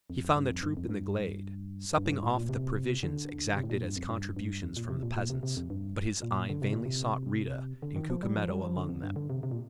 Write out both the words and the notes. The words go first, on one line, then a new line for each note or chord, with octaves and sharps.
He found the troop in the glade, supping off the provisions exacted as contributions from the peasants; but his eye vainly sought Rita and Cucumetto among them.
F2
G2
F2
G2
F2
G2
G2
A2
G2
A2
A#2
C3
D3
C3
A2
A#2
G2
F2
G2
G2
F2
A#2
C3
A#2
A#2
C3
C3
F2
G2
A#2
D3
C3
A#2
C3
D3
D#3
F3
G3
F3
G3
F3
D3
F2
G2
D3
C3
C3
A#2